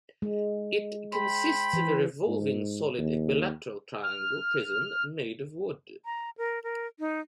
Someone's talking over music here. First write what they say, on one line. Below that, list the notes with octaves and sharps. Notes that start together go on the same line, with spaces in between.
It consists of a revolving solid equilateral triangular prism made of wood.
G#3
C5 G5 B5
E3
G#2
D#2
F6
A#5
A#4
A#4
D#4